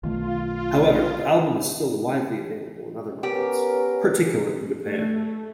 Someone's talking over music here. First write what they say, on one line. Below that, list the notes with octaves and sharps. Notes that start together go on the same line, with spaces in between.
However, the album is still widely available in other markets, particularly Japan.
B1 D#3 A3 F4
B3 C#4 G4 A#4
A3